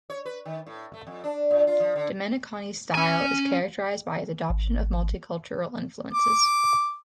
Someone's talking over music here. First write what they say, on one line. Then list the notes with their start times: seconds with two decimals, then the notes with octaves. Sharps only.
Domeniconi's style is characterized by his adoption of multicultural influences.
0.10 C#5
0.25 B4
0.45 D#3
0.66 A2
0.94 A3
1.07 F2
1.24 D4
1.50 A#2
1.67 F4
1.80 F3
1.96 D3
2.95 C#4 G#5
4.50 G#1
6.13 D6